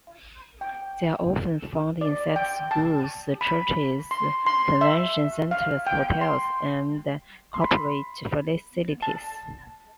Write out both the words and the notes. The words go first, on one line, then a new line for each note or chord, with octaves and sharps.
They are often found inside schools, churches, convention centers, hotels, and corporate facilities.
G5
D5
G5
A5
B5
C6
C6
E5
F5
G5
C6
C6
B5
A5